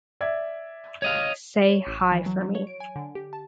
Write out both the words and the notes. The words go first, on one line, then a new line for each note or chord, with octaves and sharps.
Say hi for me.
D5 E5 G#6
C#5 D#5 F5
C#5
A1
A5
E3
F#3
F#3
C#5
D7
G#5
D3
G4
A5